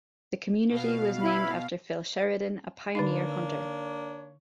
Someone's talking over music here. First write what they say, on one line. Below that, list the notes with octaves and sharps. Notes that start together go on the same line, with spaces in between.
The community was named after Phil Sheridan, a pioneer hunter.
B2 F5
E4 B5
D3 A#3 D4 D#4 C#5